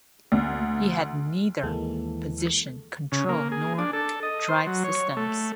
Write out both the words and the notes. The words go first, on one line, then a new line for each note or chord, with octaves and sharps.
It had neither position control nor drive systems.
D2
D#2 E3 G#3 A#3 A4
C#3
A#3
G#4
D4
A4
D#5
C5
F#3
C#5
A3